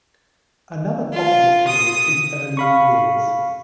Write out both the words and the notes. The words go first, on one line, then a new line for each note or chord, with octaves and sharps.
Another popular series in earlier years.
F4
D#6
F5 B5 C#6